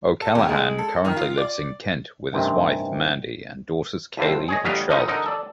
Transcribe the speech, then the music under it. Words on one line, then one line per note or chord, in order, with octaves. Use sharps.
O'Callaghan currently lives in Kent with his wife Mandy and daughters Kayley and Charlotte.
A4
D#2
G#3
A4
D#3
F4
D5
A1 G2 C3 D#3 C4
C2 G2 D3 C5
G#4 C#5 D#5
A1 F#3 G3 G4 D#5 F5
D3 F3 D#4
D3 D#4 A#4
A4 D5